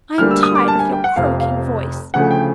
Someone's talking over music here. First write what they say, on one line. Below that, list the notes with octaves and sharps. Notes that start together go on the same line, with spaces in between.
I am tired of your croaking voice.
D2 D3 G3 A#3 F6
E6
D#6
D6
A5
G#5
G5
F#5
F1 F2 C3 F5
F5
D2 C#3 F3 A3 F#5
G5